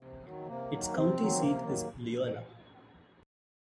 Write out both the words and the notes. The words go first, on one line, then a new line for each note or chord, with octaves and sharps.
Its county seat is Leola.
C3
D#3 F#3
C3 A#3
D#3 F#3
C3 C4
D#3 F#3
C3 A#3
D#3 F#3